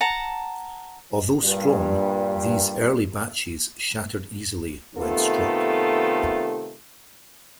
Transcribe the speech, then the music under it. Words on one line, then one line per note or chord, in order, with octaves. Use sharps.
Although strong, these early batches shattered easily when struck.
F#5 A5 A#5
G2 A#2 G3
C3 D#3 A3 B3 F4 A4